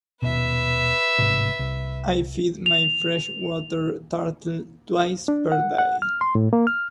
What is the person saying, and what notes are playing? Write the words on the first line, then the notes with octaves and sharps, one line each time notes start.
I feed my fresh water turtle twice per day.
D#1 B2 B4 E5
A1 G#2 C3
C2
F7
D4
F#5
F#5
F6
C6
A2
A#3
F6